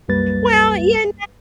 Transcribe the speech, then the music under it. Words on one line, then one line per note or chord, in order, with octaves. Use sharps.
Well, you
C2 F#2 G3 A#3 B4 A6